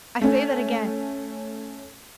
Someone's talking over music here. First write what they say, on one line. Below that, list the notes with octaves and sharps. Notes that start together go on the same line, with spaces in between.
I say that again.
A3 C#4